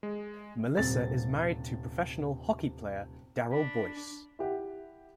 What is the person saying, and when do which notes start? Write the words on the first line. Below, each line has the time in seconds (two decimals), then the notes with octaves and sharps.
Melissa is married to professional hockey player Darryl Boyce.
0.03 G#3
0.77 D#1 C3 A6
3.52 D4 B5
4.39 E4 G4 F#5